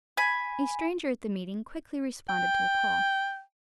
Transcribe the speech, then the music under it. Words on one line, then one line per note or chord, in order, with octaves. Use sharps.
A stranger at the meeting quickly responded to the call.
G#5 B5
G5